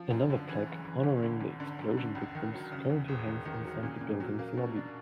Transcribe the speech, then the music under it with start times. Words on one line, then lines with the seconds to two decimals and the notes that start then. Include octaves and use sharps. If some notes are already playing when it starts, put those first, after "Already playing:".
Another plaque honoring the explosion victims currently hangs inside the building's lobby.
Already playing: F3
0.11 F#2
0.30 D3
0.49 E3
0.67 F#1
0.85 E3
1.03 G#1
1.23 D3
1.41 G#1
1.60 D3
1.79 F#2
1.97 D3
2.15 C#2
2.35 D#3
2.53 F#3
2.72 C#3
2.90 E2
3.08 E1
3.27 D#3
3.45 D#3
3.64 F#3
3.83 A#2
4.01 A#2
4.20 F#3
4.39 A#3
4.57 B2
4.76 D4